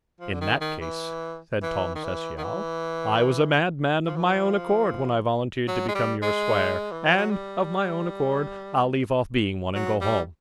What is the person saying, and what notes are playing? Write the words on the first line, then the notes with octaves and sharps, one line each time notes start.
"In that case," said Tom Cecial, "I was a madman of my own accord when I volunteered to become your squire, and, of my own accord, I'll leave off being one and go home."
F3
D3
D#3
D#3
E3
E3
D#3
E3
D#3
E3
F3
E3
F3
F#3
G#3
G3
G#3
E3
F3
F#3
G3
F#3
G3